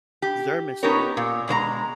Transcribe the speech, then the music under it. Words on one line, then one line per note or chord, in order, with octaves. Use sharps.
their mistake
G4
B3 C#4 D#4 G4 A#4 C#5
A#2
B2 G#3 C5 A#5